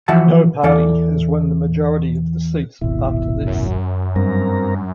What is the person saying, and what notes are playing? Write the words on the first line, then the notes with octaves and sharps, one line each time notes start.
No party has won the majority of the seats after this.
E3 F3 F#4 E5 F#5 A5
E2 E3 A4 D5 F5
D#1 G#1 B2 E4
F#2
G2 C4 A#4 A#5